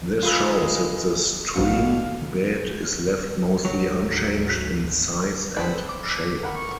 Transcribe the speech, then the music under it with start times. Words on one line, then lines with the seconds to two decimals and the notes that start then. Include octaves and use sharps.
This shows that the stream bed is left mostly unchanged in size and shape.
0.23 G#3 F4 B4 C6 D#6 E6
1.56 A#1 G#2 B2 D3 F5 C#7
3.65 D2 G#2 F#3
5.57 C4 D4 G#4 A4 B4
5.89 D6
6.43 A#4 F#5 B5
6.55 C#6